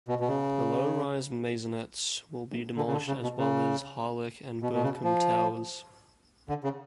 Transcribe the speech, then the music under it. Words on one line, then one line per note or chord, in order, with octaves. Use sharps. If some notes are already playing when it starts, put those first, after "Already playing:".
The low rise maisonettes will be demolished as well as Harlech and Burcombe Towers.
B2
B2
C#3
D3
C#3
D3
C#3
B2
C#3
B2
B2
C#3
F3
D3
C#3